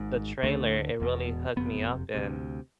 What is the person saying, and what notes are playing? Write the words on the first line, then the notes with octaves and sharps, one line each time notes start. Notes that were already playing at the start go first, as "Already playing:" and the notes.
the trailer, it really hooked me up, and
Already playing: G#1 G#2
D2 D3 A3
E1 E2 B2
F#1 F2 C3 B3
D2 C3